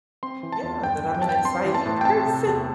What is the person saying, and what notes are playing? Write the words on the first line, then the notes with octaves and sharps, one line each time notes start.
Yeah. That I'm an exciting person.
C4 C6
E3
A5
E2
G2 G5
E3
G5
G2 A5
G5
C4 C6
E3
A5
A2
G5
C4 A5
C3
E2